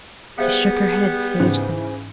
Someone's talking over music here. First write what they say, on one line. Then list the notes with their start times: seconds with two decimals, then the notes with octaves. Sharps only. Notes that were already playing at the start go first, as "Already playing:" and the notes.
She shook her head sagely.
0.38 G3 B3 G#4 C5 E5 F5
1.40 G#2 C#3 E3 D#4 C5 F#6